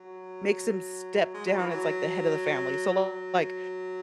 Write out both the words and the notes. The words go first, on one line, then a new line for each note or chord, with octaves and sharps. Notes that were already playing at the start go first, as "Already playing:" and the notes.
makes him step down as like the head of the family, so, like,
Already playing: F#3
G#3
F#3
E3
F#3
F#3